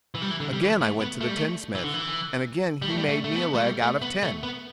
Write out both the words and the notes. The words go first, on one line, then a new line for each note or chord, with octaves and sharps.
Again I went to the tinsmith, and again he made me a leg out of tin.
E3
G3
E3
D3
G3
E3
A3
B3
A3
G3
A3
E3
D3
E3
G3
A3
G3
A3
A3
B3
A3
G3
A3
B3
A3
B3